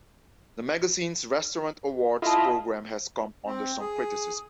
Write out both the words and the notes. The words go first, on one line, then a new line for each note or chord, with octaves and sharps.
The magazine's Restaurant Awards program has come under some criticism.
E4 F4 A4 D#5 A5
C4
G#4